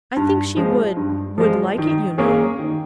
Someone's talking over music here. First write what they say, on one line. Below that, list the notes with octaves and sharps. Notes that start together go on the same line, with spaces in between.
"I think she would,--would like it, you know."
G2
F3 G#3
G2
F3 G#3
D#3
A#3 C#4 G#4 C#5
D#3